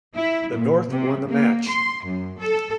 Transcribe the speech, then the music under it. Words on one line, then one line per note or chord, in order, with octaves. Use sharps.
The North won the match.
E4
A#2
C3
A#3
C6
F#2
A4